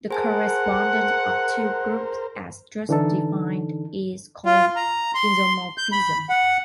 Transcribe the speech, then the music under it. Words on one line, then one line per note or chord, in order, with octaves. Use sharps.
The correspondence of two groups as just defined is called isomorphism.
G#4 A#4 C5 F#5 G#5 A5
D3 E3 D4 D#4 A4
F4
A#5
C6
G6
B5
F#5